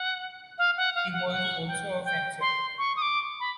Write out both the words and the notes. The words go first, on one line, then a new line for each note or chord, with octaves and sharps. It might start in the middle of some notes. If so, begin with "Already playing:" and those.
He was also a fencer.
Already playing: F#5
F5
F#5
F5
F#5
F#5
G5
G5
C6
C#6
D#6
D6
B5